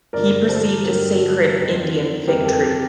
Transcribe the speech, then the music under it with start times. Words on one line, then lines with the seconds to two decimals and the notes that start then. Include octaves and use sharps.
He perceived a sacred Indian fig-tree.
0.13 G2 D3 F3 A#4 D5
0.49 A4 C5
0.85 G2 D3 F3 G4 A#4
1.56 F2 C3 G3 C4 D#4
2.27 F2 C3 G3 C4 D#4 G4 A#4
2.46 A4
2.63 G4